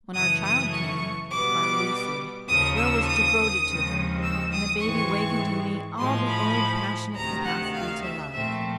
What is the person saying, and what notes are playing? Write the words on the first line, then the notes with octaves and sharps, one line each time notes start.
When our child came--our Lucy--Will was devoted to her, and the baby wakened in me all the old passionate capacity to love.
F#2 C#3 E3 A3 D#6
D#6
C#6
B2 G3 B3 D6
D#2 C#3 F3 A#3 D#6
E6
D#6
D#2 C#3 F3 G#3 C4
E6
D#6
G#2 E3 G#3 C4 C#6
A2 F3 G#3 C6
B5
D2 C3 D#3 A#5
F#5
F5
E5
A#2 F3 A3 C4 E5